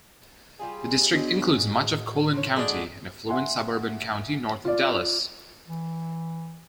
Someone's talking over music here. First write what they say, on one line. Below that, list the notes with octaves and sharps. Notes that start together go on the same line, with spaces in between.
The district includes much of Collin County, an affluent suburban county north of Dallas.
G3 F4 G#4
F#3 G#3 B3 D4 F#4
A2
F3 C#5
G#3 A3 D4 F#4
E5 F#5 G#5 C6
F4 D5
E3